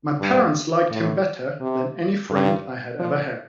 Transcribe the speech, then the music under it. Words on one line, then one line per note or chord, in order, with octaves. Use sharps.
My parents liked him better than any friend I had ever had.
G2
A2
C3
G2
F3